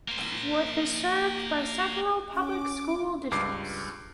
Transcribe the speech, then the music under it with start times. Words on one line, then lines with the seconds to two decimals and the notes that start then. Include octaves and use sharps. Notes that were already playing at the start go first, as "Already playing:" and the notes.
Worth is served by several public school districts.
0.08 A#3 C5
2.33 C#4 D6
3.31 C#2 G2 D6 C7